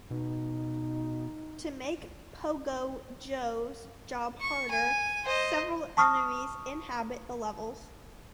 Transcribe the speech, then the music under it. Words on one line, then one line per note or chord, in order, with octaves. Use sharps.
To make Pogo Joe's job harder, several enemies inhabit the levels.
B2 D#4
C#6
G#5
C5 D#5
A5 C#6 D#6 F6